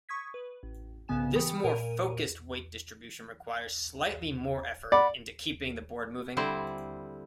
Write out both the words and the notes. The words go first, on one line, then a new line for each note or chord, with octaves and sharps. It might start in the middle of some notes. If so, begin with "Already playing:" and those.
This more focused weight distribution requires slightly more effort into keeping the board moving.
C#6 D#6 G#6 B6
B4
A1
B1 G#2 C#3 B3 G#5 E7
E3 G4 G5 B5 D#6 C#7
A#2 A#4 D#7
D5 F#5 B5
D3 G3 C4 E4 C5